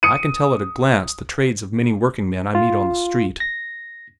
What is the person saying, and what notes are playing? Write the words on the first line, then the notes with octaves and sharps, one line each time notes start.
I can tell at a glance the trades of many workingmen I meet on the street.
D#6 C#7 D#7
F4
A#6